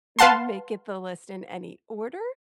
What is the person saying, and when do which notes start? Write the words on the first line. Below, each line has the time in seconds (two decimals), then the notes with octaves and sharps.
m make it the list in any order.
0.19 B4 F5 F#5 A5 C6